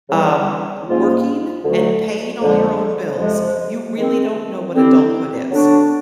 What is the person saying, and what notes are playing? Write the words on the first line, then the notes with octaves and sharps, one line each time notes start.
um, working and paying all your own bills, you really don't know what adulthood is.
E2 C#3 E3 G3
G#2 F3 A#3 C#4 F4
D2 D3 F#3 A3
F2 D3 F3 G#3
F2 C3 F3 G#3
D#3 G#3 C4
D3 G3 C4 E4 G4
D3 F#3 B3 D4 F#4